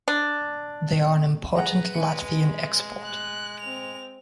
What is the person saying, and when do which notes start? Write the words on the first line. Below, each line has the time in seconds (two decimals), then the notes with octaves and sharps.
They are an important Latvian export.
0.08 D4
1.56 G#4 B4 F#5 A#5
1.95 G#3 G#5 C#7
3.04 F#6
3.60 C4 F7